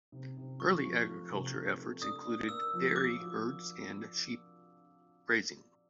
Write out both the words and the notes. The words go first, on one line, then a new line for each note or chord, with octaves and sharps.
Early agricultural efforts included dairy herds and sheep raising.
C3
C3
F3 C#6
F3
A3
C3
A3
A3
D4 D#6
D4
A#3 E6
F3
F3 D6
F#4